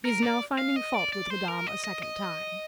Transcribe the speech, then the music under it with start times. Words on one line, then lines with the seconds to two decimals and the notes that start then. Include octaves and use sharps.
"He is now finding fault with Madame a second time."
0.05 A#4
0.23 D5
0.58 F5
0.76 D#5
0.94 D5
1.13 D5
1.30 C5
1.48 A#4
1.67 D#5
1.84 D#5
2.03 D#5